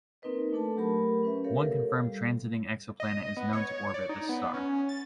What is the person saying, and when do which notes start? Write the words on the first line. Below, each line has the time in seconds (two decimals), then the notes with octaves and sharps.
One confirmed transiting exoplanet is known to orbit this star.
0.22 A#3 C4 D#4 A#4 B4 D#5
0.53 A3 D4 A4 A5
0.77 F#3 A3 G4 A#4 B5
1.23 C#4 B4 E5
1.44 G4 A4 A#4 C#5 F5
2.03 G3
3.00 D#5
3.37 B3
3.53 C#5
3.94 D5
4.09 D#4
4.29 B3
4.54 C#4
4.89 A6